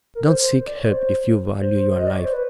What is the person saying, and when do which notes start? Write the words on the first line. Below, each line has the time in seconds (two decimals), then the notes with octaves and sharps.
"Don't seek help if you value your life."
0.15 A#4
0.27 C5
0.40 C5
0.66 D5
0.77 C#5
0.89 C5
1.60 C5
1.98 D#5
2.07 D5
2.16 C#5
2.25 C5
2.33 B4